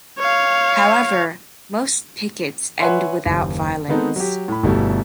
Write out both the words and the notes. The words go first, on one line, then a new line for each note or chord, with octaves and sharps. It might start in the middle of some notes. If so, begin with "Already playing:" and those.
However, most pickets end without violence.
C#5 F5
B4 C#5 E5 F#5 G#5 C6
F#1 D#2
D#3 G#3 B3 C4 D#4 A4
F#3 G4
A2 B5
G1 B2 G3 A3 E4